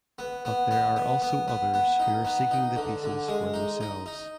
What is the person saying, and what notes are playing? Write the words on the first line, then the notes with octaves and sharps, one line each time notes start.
But there are also others who are seeking the pieces for themselves.
B3
B3
B3
B3
B3
B3
B3
D#4
B3
D#4
D3
D3
G#3
D#4
D#4
D#4